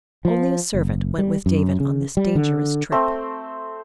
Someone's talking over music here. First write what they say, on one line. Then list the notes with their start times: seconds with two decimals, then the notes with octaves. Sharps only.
Only a servant went with David on this dangerous trip.
0.25 F3
0.74 F#1
1.18 G3
1.46 F#2
1.80 C#3
2.17 G3
2.35 D3
2.92 A3 C4